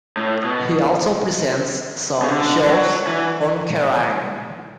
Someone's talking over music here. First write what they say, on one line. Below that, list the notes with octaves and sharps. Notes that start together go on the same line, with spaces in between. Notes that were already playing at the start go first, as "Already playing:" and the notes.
He also presents some shows on Kerrang!
A2
B2
C#3
D3
F#3
E3